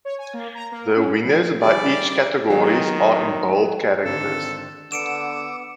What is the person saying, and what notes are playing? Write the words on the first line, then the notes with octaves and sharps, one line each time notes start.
The winners by each categories are in bold characters.
C#5
G#5
A#3
A#5
A#3
C#4
F3
D#3 G3 G#4 D5
D#3 F#3 B3
G#1 D3 D#3 C4 A4
D3 B3 D6 E6 C#7 D7 E7